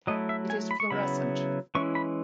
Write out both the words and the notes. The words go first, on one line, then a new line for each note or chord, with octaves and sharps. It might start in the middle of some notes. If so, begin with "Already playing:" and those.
It is fluorescent.
F#3 A3 E4 D#5
E5
G#5
B5
C#6
C#3 F#3 B3 E4 B5
E3 G#3 C#4 E4 C#6
B5